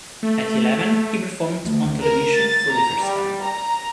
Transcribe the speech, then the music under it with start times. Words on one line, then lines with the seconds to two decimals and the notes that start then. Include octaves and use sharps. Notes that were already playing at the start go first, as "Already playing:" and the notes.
At eleven, he performed on television for the first time.
0.23 A3
1.66 D2
2.02 A#4
2.38 A6
2.74 A#5
3.04 G3
3.45 A#5